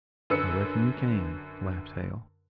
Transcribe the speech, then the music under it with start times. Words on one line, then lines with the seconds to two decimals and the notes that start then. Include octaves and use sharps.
"I reckon you can," laughed Hale.
0.30 F#2 D3 B4 E6 C#7